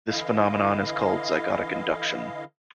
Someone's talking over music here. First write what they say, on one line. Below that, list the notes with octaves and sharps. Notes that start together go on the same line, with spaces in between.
This phenomenon is called Zygotic induction.
D3 E3 E4 D#5 F5